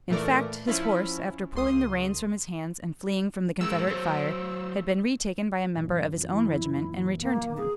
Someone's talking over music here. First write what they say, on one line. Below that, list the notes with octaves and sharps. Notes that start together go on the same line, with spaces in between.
In fact his horse, after pulling the reins from his hands and fleeing from the Confederate fire, had been retaken by a member of his own regiment and returned to him.
A#2 E3 A3 A#4 D5
F3 C#4 E4 F4
C#2 C6 D#6
G#3 G#4 A#4 E6
F#3 C5
F#2 A#2 E3
E4
A#3
G#4